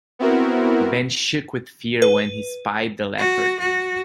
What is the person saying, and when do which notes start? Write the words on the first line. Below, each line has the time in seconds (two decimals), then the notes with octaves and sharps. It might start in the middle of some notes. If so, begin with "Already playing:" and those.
Ben shook with fear when he spied the leopard.
0.19 B3 C4 E4 F#4 A#4
2.02 B4
3.18 F#4
3.60 F#4